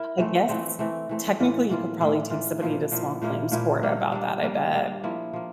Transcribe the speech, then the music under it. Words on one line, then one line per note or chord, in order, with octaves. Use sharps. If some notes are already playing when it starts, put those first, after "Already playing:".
I guess, technically, you could probably take somebody to small claims court about that, I bet.
Already playing: E4 A#4
E3 A3 C4
E3 A3 C4
E3 A3 C4
E3 A3 C4
A2 E3 A#3 F4
A2 E3 A#3 F4
A2 E3 A#3 F4
A2 E3 A#3 F4
A#2 F3 A#3 E4
A#2 F3 A#3 E4
A#2 F3 A#3 E4
A#2 F3 A#3 E4
G3 A#3 D4
G3 A#3 D4
G3 A#3 D4
G3 A#3 D4
F3 A#3 E4
F3 A#3